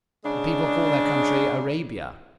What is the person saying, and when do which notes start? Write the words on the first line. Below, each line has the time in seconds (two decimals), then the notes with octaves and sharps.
The people call their country Arabia.
0.24 C#3 G#3 D4